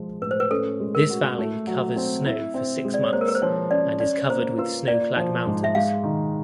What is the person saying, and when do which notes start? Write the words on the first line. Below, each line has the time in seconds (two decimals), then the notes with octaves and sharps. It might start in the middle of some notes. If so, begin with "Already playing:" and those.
This valley covers snow for six months and is covered with snow clad mountains.
Already playing: F3 G#3
0.21 A2 B4
0.31 C5
0.40 B4
0.50 C#4 A4
0.80 G#3
0.95 A#4
1.10 F#4
1.38 A3
1.67 F#3
1.96 C4
2.26 E4
2.54 C4
2.84 G#3
2.94 D5
3.04 C#5
3.13 A#3 C5
3.21 A#4
3.28 B4
3.35 C5
3.42 F3 C#5
3.71 C#4 D5
4.00 C#4 D5
4.30 A#3 C5
4.58 F4 B4
4.88 A#3 D5
5.16 F3
5.46 G#2
5.64 E5
5.75 G#3 F5
6.03 D#3